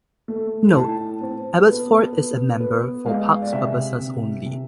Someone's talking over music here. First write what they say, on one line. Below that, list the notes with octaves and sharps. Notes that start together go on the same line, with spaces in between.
Note: Abbotsford is a member for parks purposes only.
A3
A2 A5
C4
B3
B3
B3
G#3 F5
D5
C3 E5
C3
C3